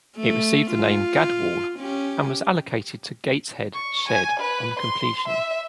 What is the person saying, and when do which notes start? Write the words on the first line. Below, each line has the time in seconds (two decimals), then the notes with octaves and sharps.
It received the name "Gadwall", and was allocated to Gateshead shed on completion.
0.16 A3
0.70 F4
1.78 C#4 G4
3.74 C#6
4.08 G#5
4.40 B4
4.79 C6
5.28 E5